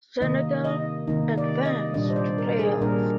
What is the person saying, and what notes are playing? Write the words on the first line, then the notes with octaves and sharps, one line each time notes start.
Senegal advance to playoff.
C3 D#3 A#3 D#4 D#5
D#5
C3 D#3 A#3 D#4
D5
D#5
A#2 G3 D4 D#5
C5
D5
A#4
G#4
A#2 G3 D4 A#4